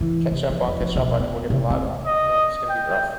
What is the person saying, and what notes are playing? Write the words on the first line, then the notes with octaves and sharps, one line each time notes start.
catch up on, catch up on, and we're gonna log on, and it's gonna be rough.
E3
C3
F3
E2
F3
B1
B3
C3
C4
D#5
G5